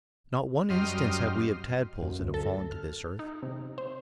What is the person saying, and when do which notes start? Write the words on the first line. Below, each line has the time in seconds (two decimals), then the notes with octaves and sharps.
Not one instance have we of tadpoles that have fallen to this earth.
0.70 F#2 G3 D#5 C6 F6
2.02 F#2
2.19 D2
2.34 A4
2.71 F6
3.19 D#4
3.42 C3
3.78 C5